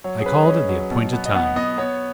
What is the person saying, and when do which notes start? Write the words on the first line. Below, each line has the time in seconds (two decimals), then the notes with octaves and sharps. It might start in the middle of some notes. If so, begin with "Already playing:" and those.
I called at the appointed time.
0.04 F#3 C#5
0.20 G#4
0.26 C#4 B4
0.43 D#5
0.48 C#4 C#5
0.69 F#3
0.91 B2
1.13 B3
1.26 D#5
1.34 B3 F#5
1.56 B3 D#5
1.78 B3 C#5